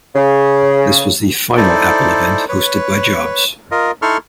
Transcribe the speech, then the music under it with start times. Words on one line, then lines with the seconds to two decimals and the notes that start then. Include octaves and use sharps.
This was the final Apple event hosted by Jobs.
0.14 C#3
1.57 D#4 E4 A4 C5 D5
2.49 B4 C#5
3.71 F4 A#4 D#5
4.02 D#4 E4 A4 C6 C#6 F6